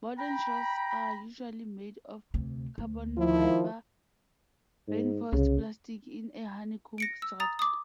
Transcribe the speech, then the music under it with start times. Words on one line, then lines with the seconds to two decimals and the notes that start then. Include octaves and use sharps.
Modern shells are usually made of carbon-fibre reinforced plastic in a honeycomb structure.
0.18 G5 A#5 B5
2.34 D2 C3
2.78 D2
3.18 D#3 F3 E4
4.88 G#2
5.33 C2 C#3
6.98 A#6 C#7 D7
7.22 E6
7.40 A#5 D#6 A6
7.59 D6 D#6